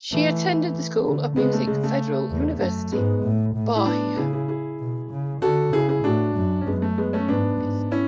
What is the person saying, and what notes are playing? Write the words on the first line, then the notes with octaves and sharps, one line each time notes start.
She attended the School of Music Federal University of Bahia.
E3 A3
D3
C#3 G#3 B3
A3
C#3 G#3
A3
E2
F#2 A3
G#2 G#3 B3
A2
A2
E4
B3 D4
C#3 E4 G#4
E4 G#4
E4 G#4
B2
C#3
D3 F#4 A4
C#3 E4 G#4
E4 G#4
A2 D4 F#4
F#2
C#4
F#2 G#3 B3
A3
G#3 B3
A3 C#4
G#2 B3 D4
G#2
C#4 E4